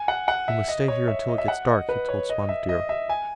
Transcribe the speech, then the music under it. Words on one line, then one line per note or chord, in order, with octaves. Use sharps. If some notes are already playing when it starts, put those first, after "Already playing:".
"We must stay here until it gets dark," he told Spotted Deer.
Already playing: G#5
F#5
F#5
E5
D#5
C#5
E5
D#5
E5
F#5
D#5
B4
C#5
D#5
E5
D#5
E5
G#5